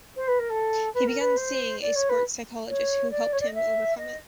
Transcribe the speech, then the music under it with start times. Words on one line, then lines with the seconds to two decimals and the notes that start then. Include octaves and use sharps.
He began seeing a sport psychologist who helped him overcome it.
0.16 C5
0.28 B4
0.39 A#4
0.50 A4
0.94 B4
1.06 A#4
1.20 B4
1.36 C5
1.81 D5
1.95 C#5
2.09 B4
2.68 C#5
3.11 D5
3.32 C#5
3.40 D5
3.47 D#5
3.54 E5
3.98 D#5